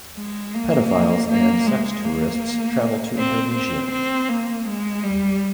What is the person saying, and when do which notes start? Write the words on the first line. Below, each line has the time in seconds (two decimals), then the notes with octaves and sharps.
Pedophiles and sex tourists travel to Indonesia.
0.17 G#3
0.54 A#3
1.29 A#3
1.66 G#3
2.05 A#3
3.17 C4
3.53 C4
3.91 C4
4.29 A#3
4.66 G#3
5.03 G3